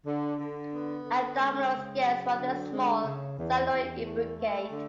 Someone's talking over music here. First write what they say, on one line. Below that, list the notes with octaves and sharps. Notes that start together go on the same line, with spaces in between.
Abdominal scales rather small, cycloid, imbricate.
D3
D3
B3
D3
G#3
C#3
F#3
D3
G#3
C#3
E2
E2
A3
A3
D3